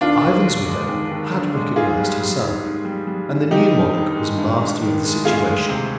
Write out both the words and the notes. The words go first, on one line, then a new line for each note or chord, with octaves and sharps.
Ivan's widow had recognized her son, and the new monarch was master of the situation.
D#2 D4 F4
D#2
D3
G#3
D#2
D#2
D3
G#3
G#2 F4 G#4
G3
G3
G#2
G#2
G3
G3
G#2
G2 D#4 G4
G2
D#3
G#3
G2
G2
D#3
G#3
D2 F4 G#4
G#3
C3